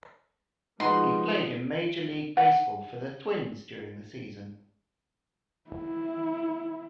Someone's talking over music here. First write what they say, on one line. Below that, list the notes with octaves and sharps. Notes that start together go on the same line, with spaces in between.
He played in Major League Baseball for the Twins during the season.
F3 G#3 D#4 F#4 B4 C6
F#5
E4